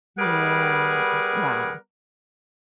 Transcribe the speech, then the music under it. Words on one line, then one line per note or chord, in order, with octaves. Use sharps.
Yeah, wow.
G3 B3 G#4 A#4 F#5